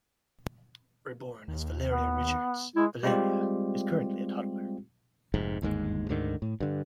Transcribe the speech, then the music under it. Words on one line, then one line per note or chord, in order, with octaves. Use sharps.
Reborn as Valeria Richards, Valeria is currently a toddler.
D#2
B3
G#3 E4
G3 G#3 C4 F4 G4
F1 G#2
G1 D#2 G#2 G#3
D2 G#2 D3 D#3
A2
G2 D3